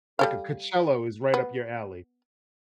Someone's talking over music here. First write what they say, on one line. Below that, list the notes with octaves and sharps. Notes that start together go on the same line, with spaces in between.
Like a Coachella was right up your alley.
G3 A4 F5
B3